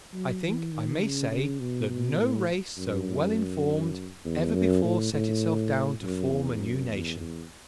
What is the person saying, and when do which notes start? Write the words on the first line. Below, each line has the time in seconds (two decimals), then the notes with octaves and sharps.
I think I may say that no race so well informed ever before set itself down to form a new nation.
0.14 F#3
0.42 E3
0.72 D#3
1.02 C#3
1.31 C#3
1.60 B2
1.90 B2
2.19 A2
2.78 F#2
4.25 E2
4.54 F#2
4.84 A2
5.13 A2
6.02 F#2
6.31 E2
6.60 F#2
6.90 E2
7.20 E2